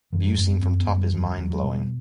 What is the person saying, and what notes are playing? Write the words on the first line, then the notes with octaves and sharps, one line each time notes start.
View seen from the top is mind-blowing.
F#2 E3
F#3
F#2 A3
B3
F#2 C4
B3
F#2
G3
E2 F#3
F#3
E2 F#3
F#3
B2 G3